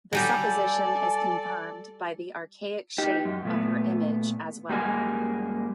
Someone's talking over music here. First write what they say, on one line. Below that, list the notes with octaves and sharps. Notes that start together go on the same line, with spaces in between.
The supposition is confirmed by the archaic shape of her image as well.
F#3 G3 G4 A4 D5 G#5
D#4 G4
F#2
A#2 A3 B3
F#2 G3 G#3 A#3 G#5